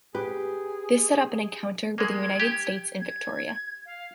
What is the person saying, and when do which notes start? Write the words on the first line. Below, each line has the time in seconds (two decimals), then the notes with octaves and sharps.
This set up an encounter with the United States in Victoria.
0.15 G4 G#4 B4
1.98 G#3 A#3 G#6
2.40 G4
3.00 G#6
3.86 F5